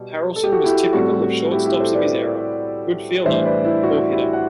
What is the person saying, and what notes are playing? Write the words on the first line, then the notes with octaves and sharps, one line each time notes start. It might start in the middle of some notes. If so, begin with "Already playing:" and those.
Harrelson was typical of shortstops of his era: good fielder, poor hitter.
Already playing: B2 G3
A4
G4
F#4 A4
E4 G4
A2 G3 C4 F#4 A4
F#4
E4 G4
E4 G4
A4 C5
B4 D5
A2 E3 G3 D4 C5 E5
B4 D5
E4
F#4
E4 G4
F#5